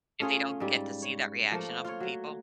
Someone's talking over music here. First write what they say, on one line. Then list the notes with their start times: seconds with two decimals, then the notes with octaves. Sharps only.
If they don't get to see that reaction off of people,
0.20 A3 C#4 F4 G#4
0.60 G#2 G3
1.02 C#5
1.52 F3 A3 A#3
1.85 F4 C#5
2.00 F#3